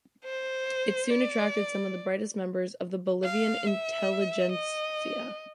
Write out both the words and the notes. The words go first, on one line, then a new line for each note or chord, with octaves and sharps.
It soon attracted some of the brightest members of the Bolivian intelligentsia.
C5
D5
F5
E5
D#5